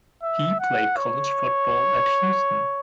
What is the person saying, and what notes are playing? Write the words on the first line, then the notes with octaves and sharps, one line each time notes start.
He played college football at Houston.
E5
F#5
C#5